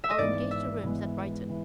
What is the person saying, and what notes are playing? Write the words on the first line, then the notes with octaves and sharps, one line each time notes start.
I'll engage the rooms at Brighton.
E5
D#5
G#1 G#2 E3 G#3 B3 D5
E5
G#1 G#2 E3 G#3 B3
E3